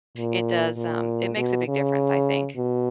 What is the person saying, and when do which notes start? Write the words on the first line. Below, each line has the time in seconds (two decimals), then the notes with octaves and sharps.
it does um, it makes a big difference, I think.
0.18 A#2
0.77 A#2
1.37 B2
1.68 C#3
2.56 B2